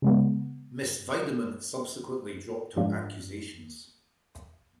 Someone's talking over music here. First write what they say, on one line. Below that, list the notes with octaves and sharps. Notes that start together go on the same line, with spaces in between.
Miss Weideman subsequently dropped her accusations.
C#3 G#3 B3
G#2 F3 G#3 D4 F4